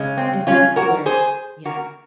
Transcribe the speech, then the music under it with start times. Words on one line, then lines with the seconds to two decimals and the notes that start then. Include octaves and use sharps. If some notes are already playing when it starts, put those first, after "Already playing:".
In particular Yeah.
Already playing: C#3 G#3
0.17 C4
0.47 C#4 F4
0.76 F#4 A#4
1.06 G#4 C5
1.65 F#4 A#4